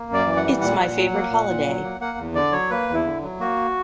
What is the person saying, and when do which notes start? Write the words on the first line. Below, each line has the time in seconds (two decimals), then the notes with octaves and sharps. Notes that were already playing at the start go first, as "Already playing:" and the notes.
It's my favorite holiday.
Already playing: A#3
0.09 F#2 D5
0.26 E3
0.37 F#5
0.44 G3
0.61 A#2 F#5
0.79 A#2
0.96 F#3
1.13 A#3
1.30 A#2
1.48 A#2
1.66 F#3
1.84 A#3
2.00 A#3 F#5
2.18 E2
2.35 D3 D5
2.52 F#3 C#5
2.71 A#3 B4
2.89 E2
2.94 E4
3.05 D3
3.23 F#3
3.40 A#3 F#4